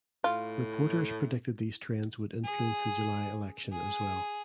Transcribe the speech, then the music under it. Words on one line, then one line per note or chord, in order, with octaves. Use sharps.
Reporters predicted these trends would influence the July election as well.
A2 F4
G#4
G#4